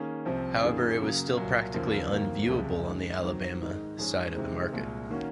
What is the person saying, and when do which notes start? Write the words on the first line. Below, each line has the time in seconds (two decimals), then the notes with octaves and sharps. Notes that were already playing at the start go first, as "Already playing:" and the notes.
However, it was still practically unviewable on the Alabama side of the market.
Already playing: D#3 A#3 C#4 G#4
0.25 C2 C3 F3 C4
0.62 F#2 D#3 A#3 F4 G#4
1.00 C#3 F#3 A#3
1.37 C2 A#2 F#3 A#3
1.74 D#2 C#3 F3 A#3 F4
2.12 F2 D#3 F#3 A#3
2.49 C#2 C3 F3 G#3 C#4
2.86 F#2 D#3 G#3 D#4
3.23 D#3 F#3 C4
3.61 G#2 D#3 G#3 D#4
3.98 G#2 F3 G#3 C#4 G#4
4.35 C3 D#3 G#3 C4 D#4
4.72 C2 A#2 G#3
5.10 D#3 A#3 C#4 F#4